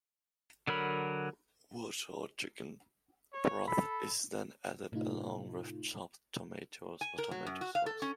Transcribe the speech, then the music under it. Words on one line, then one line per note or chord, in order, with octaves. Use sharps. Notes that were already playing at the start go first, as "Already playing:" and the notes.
Water or chicken broth is then added along with chopped tomatoes or tomato sauce.
D3 F#3 A#4 B5
C#5
A4 B5
A2 C3 A3 D#4 F4
G#5
A#4
F#3
F#2
F#4
F5
A4
C#4